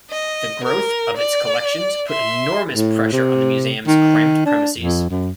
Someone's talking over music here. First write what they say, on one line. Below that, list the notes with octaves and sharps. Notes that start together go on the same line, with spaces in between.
The growth of its collections put enormous pressure on the museum's cramped premises.
D#5
A#4
D5
E5 C6
A2
C3
D#3
D4
F2
F#2